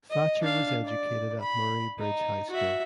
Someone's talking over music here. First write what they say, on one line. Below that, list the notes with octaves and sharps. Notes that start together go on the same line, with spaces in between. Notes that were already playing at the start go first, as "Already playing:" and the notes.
Thatcher was educated at Murray Bridge High School.
D#5
D4 F5
D5
B5
D#4
F#4 E5